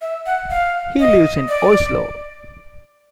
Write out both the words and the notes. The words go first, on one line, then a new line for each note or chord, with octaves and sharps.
He lives in Oslo.
E5
F#5
F5
D#5
D5